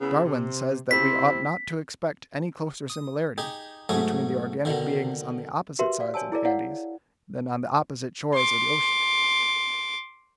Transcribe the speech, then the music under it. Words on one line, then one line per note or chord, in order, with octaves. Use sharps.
Darwin says that we ought not to expect any closer similarity between the organic beings on the opposite sides of the Andes than on the opposite shores of the ocean.
C#3 B3 E4
C3
C3 C4 E4 B6
D#6
D#4 G4 G#4
G#2 F#3 A3 G#4
B2 D3 D#3
F#4 G4 A#4 B4 E5 C6
D5 F5
C#5 G#5 A5 E6
E4 G#4 A#4 D5
E4 C#5 D5 F5 F#5
C6 D6